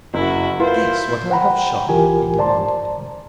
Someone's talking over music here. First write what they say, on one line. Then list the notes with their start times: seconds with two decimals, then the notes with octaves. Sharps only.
"Guess what I have shot," he demanded.
0.14 F#1 E4 F#4
0.59 A#3 E4 F4 B4 C5
1.30 C5 F#5 G5 A#5 B5
1.89 C2 E3 F4 G4 A#4 G#5
2.38 C5 D5 A5 A#5 C6